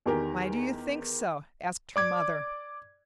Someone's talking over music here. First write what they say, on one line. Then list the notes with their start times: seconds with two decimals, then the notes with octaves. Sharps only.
"Why do you think so?" asked her mother.
0.06 E2 D#3 G4 A#4 G#5
1.96 D5 D6 G#6